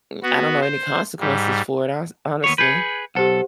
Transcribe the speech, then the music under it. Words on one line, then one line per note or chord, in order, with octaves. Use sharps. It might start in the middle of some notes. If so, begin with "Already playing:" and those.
m I don't know any consequences for it, hones honestly,
B3 F#4
C5
G#2 G3
D#2 B3 C#5
G#4 B4 G6 G#6 C#7
B1 G4 A4 C5 F#5